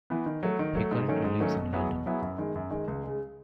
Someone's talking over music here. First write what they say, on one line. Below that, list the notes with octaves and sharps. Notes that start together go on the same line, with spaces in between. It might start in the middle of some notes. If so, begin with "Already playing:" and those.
He currently lives in London.
E3 B3
D#3
F#3 A3
D#3
F#3 A3
G#2
D#3 F#3 A3 C#4
G#2
D#3 F#3 A3 C#4
B2
F#3 B3 E4 G#4
B2
F#3 B3 E4 G#4
F#2
D#3 G#3
F#2
D#3 G#3
C#2
C#3 G#3